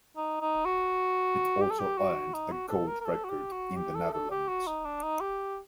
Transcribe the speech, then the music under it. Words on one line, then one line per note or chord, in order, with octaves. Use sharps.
It also earned a gold record in the Netherlands.
D#4
D#4
F#4
G4
A4
G4
F#4
D#4
F#4
A4
A#4
A#4
A4
F#4
G4
F#4
G4
A4
A4
G4
F#4
D#4
D4
D#4
G4